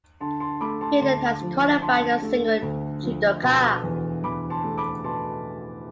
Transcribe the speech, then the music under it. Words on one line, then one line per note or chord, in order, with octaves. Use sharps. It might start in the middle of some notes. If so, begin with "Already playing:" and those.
Finland has qualified a single judoka.
D3 A5 C6
A5 C6
A3 B5 D6
A5 C6
D2 A5 C6
F3
D3 A5 C6
A3
D2
F3
B2 A5 C6
E2
E2 B5 D6
A5 C6
A3
B5 D6
B2 A5 C6